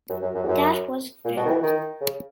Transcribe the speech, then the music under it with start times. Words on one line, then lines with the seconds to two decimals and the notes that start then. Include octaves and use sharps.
That Was Then...
0.09 F#2
0.22 F#2
0.35 F#2
0.43 E2
0.48 F#2
1.25 A#2
1.37 B2
1.45 D#3
1.49 E3
1.62 D#3
2.01 C#3